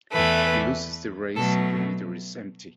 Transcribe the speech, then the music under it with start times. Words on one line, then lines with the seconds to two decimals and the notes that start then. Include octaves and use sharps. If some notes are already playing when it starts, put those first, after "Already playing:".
He loses the race if the meter is empty.
0.11 E2 E3 A3 B4
1.35 B2 F#3 A3 A4